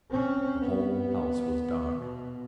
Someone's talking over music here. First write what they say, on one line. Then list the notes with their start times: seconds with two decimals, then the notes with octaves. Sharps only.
The whole house was dark.
0.10 C4 C#4
0.61 B3
2.01 B2